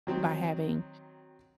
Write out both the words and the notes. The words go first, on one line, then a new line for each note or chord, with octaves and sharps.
by having,
D#3 F#3 C4